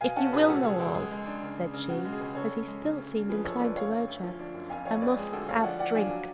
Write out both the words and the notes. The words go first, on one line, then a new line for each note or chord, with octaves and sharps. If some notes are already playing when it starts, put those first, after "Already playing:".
If you will know all," said she, as he still seemed inclined to urge her, "I must have drink.
B2 F5 G#5
C#4 F#5 A5
B2 G#4 B4
C#2 F#4 A4
C#2 G#4
C#2 F#4
G#3 G#4
G#3
D4
C#3
C#3
C#3
B2 F#4
G#3
G#4
C#2
C#3 A4 C#5
C#3
G#3
C#3
D2
D4
F3 G#4 B4
F#2 A4 C#5
F#2 B4 D5
D2 C#5 F5
D2
D2
F3
D4
F#2
F2 F5 G#5
F2 C#5 F5
F2 B4 D5
G#3 G#4
D2 F#4 A4
D2 C#5 F5
F3 D5 F#5
F3 D5 F#5
D4 F5 G#5
F#3